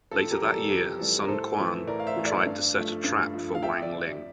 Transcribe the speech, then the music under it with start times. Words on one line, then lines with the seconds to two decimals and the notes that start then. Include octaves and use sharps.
Later that year, Sun Quan tried to set a trap for Wang Ling.
0.11 F2 A4
0.31 G4 A#4
0.41 E3 G3
0.50 A4
0.70 F2 G4
0.99 E3 G3 A4
1.24 A#4
1.28 A2 A4 C5
1.58 E3 A3
1.87 A2 A#4 D5
2.00 F5
2.07 C5 E5
2.16 E3 A3
2.26 D5 F5
2.46 G2
2.75 F3 A3
3.04 G2
3.34 F3 A3
3.55 F5
3.62 F2 E5 G5
3.82 D5